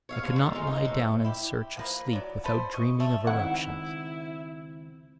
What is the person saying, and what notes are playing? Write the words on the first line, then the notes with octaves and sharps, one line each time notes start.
I could not lie down in search of sleep without dreaming of eruptions.
C#5 E5 F5
D#2 D3 G3 C#5
D#3 G3 A3
D#3 G#3 D#4 F4
D#5
F2 A2
E4 G4
F3 A#3 B4
F#3 D5
A4 B4 C5
D#5 C#6
A3
C#2 D#3 C4 E4 F#5